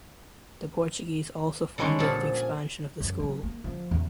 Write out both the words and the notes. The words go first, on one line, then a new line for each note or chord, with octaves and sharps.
The Portuguese also funded the expansion of the school.
D3 G3 G#3 C#4 D4
A#2 D3 F3 G#4 A4
G#5
F#2
F#3
A#3
F3
E2